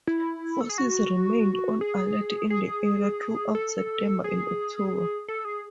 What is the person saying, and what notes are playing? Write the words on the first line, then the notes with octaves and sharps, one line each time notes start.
Forces remained on alert in the area throughout September and October.
E4
A4
G#4
F#4
G#4
G#4
A4
G#4
A4
G#4